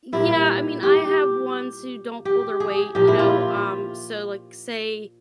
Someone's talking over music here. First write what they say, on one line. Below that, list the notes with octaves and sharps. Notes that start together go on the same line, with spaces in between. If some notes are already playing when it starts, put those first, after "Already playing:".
Yeah, I mean, I have ones who don't pull their weight, you know, um, so, like, say,
A#2 G3 E4
G4
G4
G#4
A#2 F3 G4
E4
F4